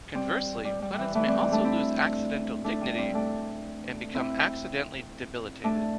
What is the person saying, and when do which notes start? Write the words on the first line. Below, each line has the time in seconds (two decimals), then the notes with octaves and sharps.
Conversely planets may also lose accidental dignity and become accidentally debilitated.
0.15 G3 C4
0.65 G3
0.82 G3
0.93 G3
0.98 E3
1.15 E3 A3
1.27 G3 C4
1.39 G3 C4
1.52 A3 D4
1.64 C4 E4
2.64 A3 D4
2.81 G3
2.98 G3 C4
3.15 A3 D4
4.14 C4 E4
5.64 A3 D4